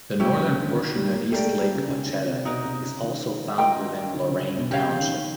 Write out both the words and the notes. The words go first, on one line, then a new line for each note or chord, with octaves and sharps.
The northern portion of East Lake Ocheda is also found within Lorain Township.
F#3 C#4 E4 G4
F#3
C#3
D3
D#3
G3
A#3
A3 G4 A#4 D5
G#3
G3
C#3
C#3
D3
C3
B2 D#4 F#4 A#4 D#5
C3
C#3
D#3
F4 A#4 D#5 G5
D3
C#3
B2
C#3 G4 A#4 C#5 F5
D#3